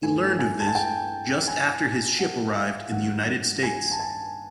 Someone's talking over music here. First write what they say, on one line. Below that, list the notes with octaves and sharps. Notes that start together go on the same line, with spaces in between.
He learned of this just after his ship arrived in the United States.
G2 E3 A3 G#5
G#5
A5
G#5
G5
G#5
F#5
E5
F5
G2 D#3 G3 A#3 F#5
G#5
A5
G#5